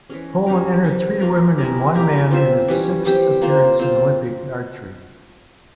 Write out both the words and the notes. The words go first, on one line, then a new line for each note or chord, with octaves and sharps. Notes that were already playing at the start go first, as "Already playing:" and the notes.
Poland entered three women and one man in its sixth appearance in Olympic archery.
E3 G#3 C#4
G3 C#4 G4 A#4
C3 E3 G3
A#3 F4 A#4
G#3 E4 G4 A#4
A#3 E4 G4 A#4
C4 F4 C5 E5
E3 G3 C#4
G3 C4 G4 C5
A#3 F4 C5
C4 F4 C5